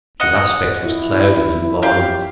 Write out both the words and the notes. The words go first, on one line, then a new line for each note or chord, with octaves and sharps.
His aspect was clouded and violent.
D#5 F#5
E4
G4 F5 G6